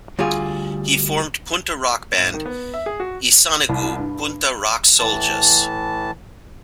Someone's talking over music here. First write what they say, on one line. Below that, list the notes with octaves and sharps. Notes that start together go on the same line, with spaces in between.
He formed punta rock band Isanigu Punta Rock Soul-Jahs.
D2 G3 F4 G#4
G#1
D#3
B3
E5
G#4
F#4
C2
G2
A2 E3 A5